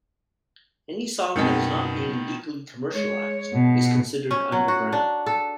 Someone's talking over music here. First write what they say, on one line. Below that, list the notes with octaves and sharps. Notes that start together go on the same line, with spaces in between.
Any song that is not being legally commercialized is considered underground.
F#2 B2 D#3 G#3 B3 C4 D#5
G#3 C#5
B2
C#4
F#3
F#4
D4
A4